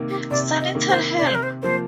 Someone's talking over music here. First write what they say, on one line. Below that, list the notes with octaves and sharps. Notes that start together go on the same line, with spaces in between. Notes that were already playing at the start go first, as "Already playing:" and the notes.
Sentinel Help!
Already playing: C3 D#3 A#3
G4
C3 D5
D#5
D#3 A#3
C5
C3 D5
C5
A#4
C5
F3 A#3 C5